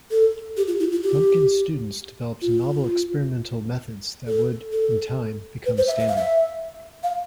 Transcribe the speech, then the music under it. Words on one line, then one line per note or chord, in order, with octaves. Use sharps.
Frumkin's students developed novel experimental methods that would, in time, become standard.
A4
G4
F4
E4
F4
G4
F4
A4
A4
B4
C5
E5
E5
F5
E5
F5